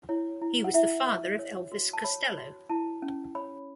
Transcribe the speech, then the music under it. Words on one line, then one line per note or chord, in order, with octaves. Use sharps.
He was the father of Elvis Costello.
E4 C#5
E4
F#5
E4 E5
B4
C#5
F#4
A5
C#5 B5
F#4
E4 A5
C#4
C#5 B5